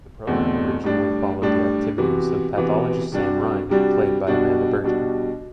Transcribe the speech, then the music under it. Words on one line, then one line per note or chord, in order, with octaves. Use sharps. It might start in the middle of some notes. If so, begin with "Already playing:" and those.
The programme originally followed the activities of pathologist Sam Ryan, played by Amanda Burton.
E2 B2 A3 C4
A2 G3 D4
A2 G3 D4
C3 E3 B3 F#4
C3 E3 B3 F#4
C3 G3 D4 F#4
C3 G3 D4 F#4
B2 G3 D4 F#4
B2 G3 D4 F#4